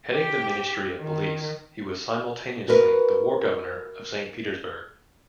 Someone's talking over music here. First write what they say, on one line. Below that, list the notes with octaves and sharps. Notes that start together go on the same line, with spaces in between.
Heading the Ministry of police, he was simultaneously the War Governor of Saint Petersburg.
G4
D#3
F#4 A#4 B4